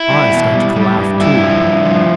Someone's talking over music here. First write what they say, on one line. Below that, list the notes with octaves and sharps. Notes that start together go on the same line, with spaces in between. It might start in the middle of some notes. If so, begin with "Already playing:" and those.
I started to laugh, too.
Already playing: E4
G3
B2
G3
G3
G2
G2 E4
F3
G2
F3